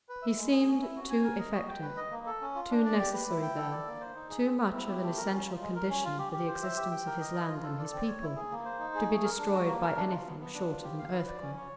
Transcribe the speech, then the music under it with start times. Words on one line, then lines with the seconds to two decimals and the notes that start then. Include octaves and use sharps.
He seemed too effective, too necessary there, too much of an essential condition for the existence of his land and his people, to be destroyed by anything short of an earthquake.
0.09 B4
0.22 E5
0.37 G#3
0.52 G#4
0.66 C#4
0.82 E4
0.96 F#4
1.10 G#5
1.24 A#4
1.39 D#5
1.53 F#4
1.68 G5
1.82 B4
1.97 D#5
2.11 A#3
2.26 A4
2.41 C#4
2.55 F4
2.70 D4
2.85 D5
2.99 G4
3.13 B4
3.29 E4
3.42 G5
3.57 A4
3.71 D5
3.86 A#3
4.01 C5
4.15 D#4
4.29 G#4
4.44 C4
4.58 C4
4.74 E4
4.88 G4
5.02 A3
5.17 A#4
5.31 C#4
5.46 F4
5.60 G#3
5.75 A#4
5.90 C#4
6.04 F4
6.19 G4
6.33 G4
6.48 C5
6.62 E5
6.76 G4
6.91 G5
7.06 A#4
7.20 D#5
7.34 F4
7.49 F4
7.63 A4
7.79 D5
7.92 C4
8.07 C#5
8.22 E4
8.36 G#4
8.51 A#3
8.65 C5
8.79 D#4
8.95 G#4
9.09 A3
9.24 A#4
9.38 D4
9.53 F#4
9.67 A#3
9.82 A#4
9.96 D4
10.11 F4
10.26 B3
10.40 B3
10.54 D4
10.69 F4
10.83 G4
10.99 F5
11.12 B4
11.27 D5
11.41 C#4
11.56 C#5